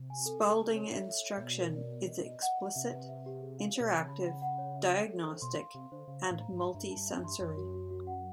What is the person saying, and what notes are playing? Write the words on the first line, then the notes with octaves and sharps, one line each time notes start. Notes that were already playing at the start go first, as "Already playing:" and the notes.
Spalding instruction is explicit, interactive, diagnostic, and multisensory.
Already playing: C3
G#5
A4
A4
A4
C#5
E5
E5
C#5
A#2
B2 D5
A#4
D5
D5
D#5
D#5
F#5
F#5
C3 E5
B4
E5
G4
G#4
F5
B2 C#5
C3 A5
C#3 B5
F#5
F#5
C#5
E5
E5
A4
C5
B2 C6
F5
C3 F5
D3 C5
C#3 F5
F5
A2
A#5
G#2
A#5
G2 E5
A5
G2
E5
G2 C6
F#2 C#5
F#4
F#4
F#4
F#5